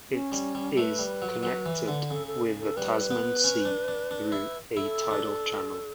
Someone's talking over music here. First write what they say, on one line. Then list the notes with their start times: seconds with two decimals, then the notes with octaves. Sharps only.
It is connected with the Tasman Sea through a tidal channel.
0.10 C#4
0.32 G3
0.55 G3
0.77 A3 B4
0.99 G3
1.22 F#3
1.43 F#3
1.66 E3
1.88 D3
2.10 C#3 A4
2.27 A4
2.60 A4
2.76 G3 B4
3.11 B3
3.44 C#4
3.65 D4
3.88 D4
4.11 D4
4.32 E4
4.77 E4 A4
5.11 D4